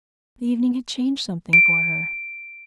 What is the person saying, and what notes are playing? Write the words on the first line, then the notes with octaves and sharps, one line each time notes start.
The evening had changed something for her.
D7